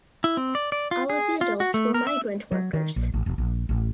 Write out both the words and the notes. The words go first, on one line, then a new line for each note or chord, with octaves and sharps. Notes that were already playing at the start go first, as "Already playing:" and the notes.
All of the adults were migrant workers.
E4
C4
D5
D5
F4
G#4
F4
F#4
A3
A#4
E5
F#3
D#3
A#1
A1
E1
A#1
A1